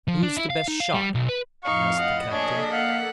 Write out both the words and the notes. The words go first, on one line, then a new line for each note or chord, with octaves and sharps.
"Who's the best shot?" asked the captain.
F3
D4
E4
F5
D#4
F5
G3
B1
B4
F2 A2 F3 D#4 F5 C#6
D#5 F#5 B5 A6
A#3 D4 G#4 A4 C#5 B6
F5 F#5